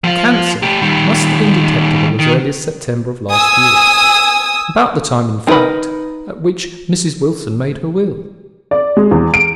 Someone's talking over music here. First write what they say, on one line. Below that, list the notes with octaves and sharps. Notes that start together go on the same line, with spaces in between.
The cancer must have been detectable as early as September of last year; about the time, in fact, at which Mrs. Wilson made her will.
F3 F4
A3 G4
D#3 G3
D#3
G#5 D#6 E6
C4 D#4 A#4 B4 B5
D5
G#3
E2
D7